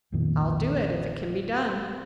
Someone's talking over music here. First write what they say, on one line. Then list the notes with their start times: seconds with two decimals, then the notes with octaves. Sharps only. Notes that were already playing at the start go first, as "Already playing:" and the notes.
"I'll do it--if it can be done."
0.12 B1 F2 A#2 D#3